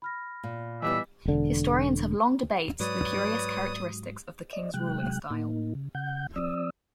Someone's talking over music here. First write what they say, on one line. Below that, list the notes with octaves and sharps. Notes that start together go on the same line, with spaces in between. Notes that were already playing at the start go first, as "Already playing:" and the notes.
Historians have long debates the curious characteristics of the king's ruling style.
B5 F6 A#6
A#2
E3 G3 B3 B4 D#5 E5 D6
E1 D3
G#2 F#3 B4 C#5 D5 D#6
D5 D#5
C3 F#3 G#3 G5 F#6
A2 A#3 D#4
C#3
C#3 F#5 G6
F3 C4 D5 D#6 E6